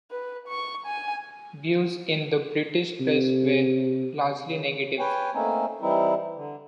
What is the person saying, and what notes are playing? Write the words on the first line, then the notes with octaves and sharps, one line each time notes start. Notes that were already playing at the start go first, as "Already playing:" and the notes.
Views in the British press were largely negative.
B4
C#6
G#5
C3
C#3
B4 C#5 G5 G#5
A3 A#3 C4 C#4 D#4
E3 G3 C4 D#4 E4
D3